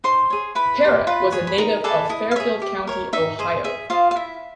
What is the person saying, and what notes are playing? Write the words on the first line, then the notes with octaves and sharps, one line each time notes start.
Parrott was a native of Fairfield County, Ohio.
D#4 C5 C6
G#4 C#5
E4 B4 B5
G4 C5
F4 B4 B5
G#4 C#5
B5
D#4 A#4 A#5
G#4 A4 B4 D5 A5
E4 D#5
F5
G#4 C#5 E5
G4
A#4 C#5
D#4 E5
G#4 C5 D#5
G#4 E5
F4 C5 D#5 F5
F5
E4 E5